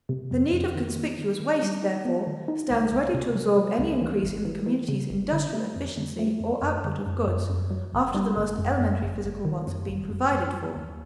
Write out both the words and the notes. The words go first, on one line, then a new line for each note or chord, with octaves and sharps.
The need of conspicuous waste, therefore, stands ready to absorb any increase in the community's industrial efficiency or output of goods, after the most elementary physical wants have been provided for.
C3
F2
F2
D#3
D#3
D#3
D#3
G3
D#4
B3
D#3
D#4
C#2
C#2
C3
F#3
F#3
C#2
E3
G1
E3
E3
C#3
G1
D3
A3
F2
D3
A3
F2
F#2
D3
F#2
F#2
F#2
F#3
G1
G3
G1
F#2
F#2
G1
G1
D#3
F#2
G1
F#2
F#2
F#3
D#2